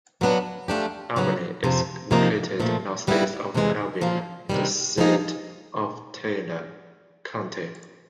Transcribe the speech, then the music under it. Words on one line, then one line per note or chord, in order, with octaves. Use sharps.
Albany is located northeast of Abilene, the seat of Taylor County.
A#2 F#3 B3 D4
G#2 F3 A3 D4 G4
C#3 F#3 B3 D#4
F2 C3 F3
C3 F3 A#3 D#4
A#2 F3 A3
A#2 G3 B3 E4
E2 C3 E3 G#3
A#2 F3 A#3
C3 D#3 G3
C3 F3 A#3 D#4 G#4